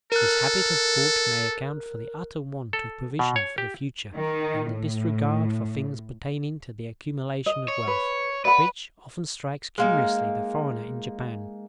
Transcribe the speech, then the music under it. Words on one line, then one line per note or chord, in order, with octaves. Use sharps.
This habit of thought may account for the utter want of provision for the future, and the disregard for things pertaining to the accumulation of wealth, which often strikes curiously the foreigner in Japan.
A4 A#4 F#6
A4
B2
C#5
G4
D#3
A2
D#5
C#5
B4
B4 D5 F#5 B5
G#3 A#3 D#4